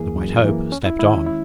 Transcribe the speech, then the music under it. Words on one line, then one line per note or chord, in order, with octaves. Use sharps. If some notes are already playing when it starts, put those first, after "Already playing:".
The White Hope slept on.
Already playing: F#2 E3 A#3 G#4
F#2
E3 A#3
E2 C#4
E4
D#3 G#3 E4
C#4
E4